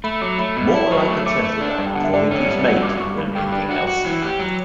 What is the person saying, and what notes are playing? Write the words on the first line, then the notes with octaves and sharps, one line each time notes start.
More like a turtle dove calling to its mate than anything else.
A3 B5
F#3 D6
A3 B5
B2 B5
B5
E4 A5
F#3 C#6
A3 C#6
A3 D6
A3
D4
G2 A5
G5
D3 F#5
E5
D3 D5
C#4
G3
F#4
G2 D6
G2 C#6
G2 B5
G2 G5
D4 G5
F#4
F#4
E3
G4
F#3